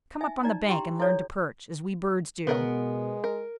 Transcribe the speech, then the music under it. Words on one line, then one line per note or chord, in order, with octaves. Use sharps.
Come up on the bank and learn to perch, as we birds do.
D#4 E5 G#5
D#4 D5 A#5
E4 G4 G5 A#5 C6
E4 A4 C#5 D5
B2 G#3 B3 A#4 F#5
A#4